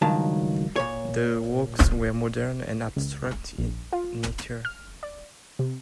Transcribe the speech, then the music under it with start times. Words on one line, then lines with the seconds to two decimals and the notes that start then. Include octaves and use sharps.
The works were modern and abstract in nature.
0.02 C#2 G2 D#3 F#3 A5
0.76 A#2 C#5
2.96 C#2
3.59 A#1
3.93 F4
4.65 F6
5.03 D5
5.59 C3